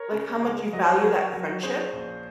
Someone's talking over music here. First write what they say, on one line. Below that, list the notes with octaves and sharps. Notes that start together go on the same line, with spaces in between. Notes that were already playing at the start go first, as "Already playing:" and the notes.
Like, how much you value that friendship?
Already playing: A#4 C#5
C#3
G#3
F#3 D#5
C#5
C5
F#3 A#4 C#5
F#3
C#4 G#4 C5
A#1